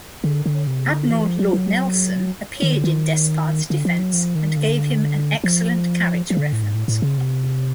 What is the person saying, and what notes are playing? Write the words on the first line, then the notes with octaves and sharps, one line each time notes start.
Admiral Lord Nelson appeared in Despard's defence and gave him an excellent character reference.
D3
D3
C3
D3
E3
F3
F#3
F#3
D#3
D3
D#3
D3
F3
F#3
F3
D#3
D3
F3
F3
C#3
D3
A2
G#2
A2
A2
C#3
C3